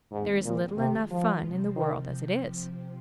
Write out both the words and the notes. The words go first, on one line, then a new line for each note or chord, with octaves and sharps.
There is little enough fun in the world as it is.
D#2 G#2 D#3 G#3 C4
A#2
C3 D#3 G#3 F4
F3
C3 F3 C4
D#3